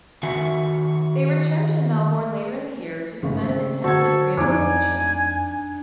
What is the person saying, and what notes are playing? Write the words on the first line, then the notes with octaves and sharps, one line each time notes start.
They returned to Melbourne later in the year to commence intensive rehabilitation.
D#3 F#4 A4 E5 F#5 G#5
G#1 C#3
C4
D3 F#4 A4 C5 A5 G#6
F2 D4 D#4 G#5 D6